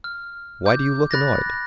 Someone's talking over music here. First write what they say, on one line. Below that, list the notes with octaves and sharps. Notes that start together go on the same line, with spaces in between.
Why do you look annoyed?
F6
D6 G6
B5 F#6 A6 A#6